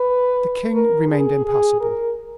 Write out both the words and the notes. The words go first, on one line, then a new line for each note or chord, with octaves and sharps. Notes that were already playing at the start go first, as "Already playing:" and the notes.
The king remained impassible.
Already playing: B4
A#4
G#4
G#4
A#4